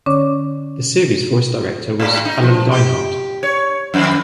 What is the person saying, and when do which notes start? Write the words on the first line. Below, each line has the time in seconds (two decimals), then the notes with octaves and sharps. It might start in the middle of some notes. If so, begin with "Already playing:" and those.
The series' voice director was Alan Dinehart.
0.06 D3 C#4 C#5 D6
2.00 A2
2.25 D#4
2.43 F3
2.71 G4
3.43 C#5
3.94 F2 D#3